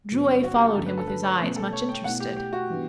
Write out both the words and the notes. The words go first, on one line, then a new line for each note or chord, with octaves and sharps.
Drouet followed him with his eyes, much interested.
G2 D3 F#3 B3
F#4
G4
A4
G2 D3 A3 C#4 A4
B4
A4
B4
C#5
B2 A3 C#4 B4
A4
C#5
G5
B2 A3 E4 F#5
G4
G4
F#4
E3 G3 B3 D4